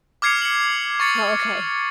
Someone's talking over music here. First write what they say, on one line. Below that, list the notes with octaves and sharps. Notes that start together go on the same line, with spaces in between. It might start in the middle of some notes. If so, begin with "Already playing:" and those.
Oh, okay.
D6 F6 G#6 C7 C#7 F7
C#7 F#7
C#6 A6 C#7